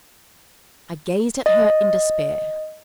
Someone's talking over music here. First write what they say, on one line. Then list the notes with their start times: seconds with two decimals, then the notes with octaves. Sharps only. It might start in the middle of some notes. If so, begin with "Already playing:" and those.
I gazed at her in despair.
1.46 D#5